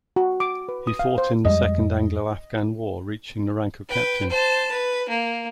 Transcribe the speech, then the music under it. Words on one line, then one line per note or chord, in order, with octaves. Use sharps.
He fought in the Second Anglo-Afghan War, reaching the rank of captain.
F#4
D6
B4
D#6
F5
C5
F2 G3 G#3 D#5
B4 G5
C5 A5
B4
A#3